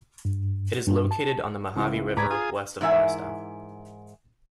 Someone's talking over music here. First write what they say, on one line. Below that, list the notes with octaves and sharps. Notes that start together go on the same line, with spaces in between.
It is located on the Mojave River, west of Barstow.
G2
G2
A5
C#2 E4
G#2 B4 D5 A#5 G#6
F4 G#4 D#6
G#2 E3 A#4 E5 F#5 G#5